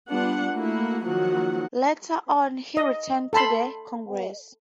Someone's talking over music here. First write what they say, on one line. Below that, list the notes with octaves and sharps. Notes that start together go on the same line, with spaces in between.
Later on he returned to the Congress.
G3 B3 D4 F4 F#5
A3 A#3 E4 F#4 F#5
D#3 F3 F#3 A#3 F#4 F#5
D#5
A4 A5 B5 C6